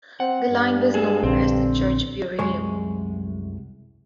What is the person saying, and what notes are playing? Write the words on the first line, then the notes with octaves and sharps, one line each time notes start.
The line was known as the Churchbury Loop.
C4 F#5
G2
G#4 A4
A#1 D3 C4
C2 F#2 F#3 G#3 G#4 C#5